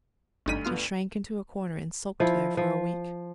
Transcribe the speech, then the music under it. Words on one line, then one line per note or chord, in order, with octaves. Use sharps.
He shrank into a corner and sulked there for a week.
G#1 D2 G2 D#4 B6 D#7
B3 F4 F6
F3 E4
F3